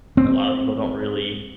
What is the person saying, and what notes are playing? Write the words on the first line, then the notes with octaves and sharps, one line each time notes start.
a lotta people don't really,
C4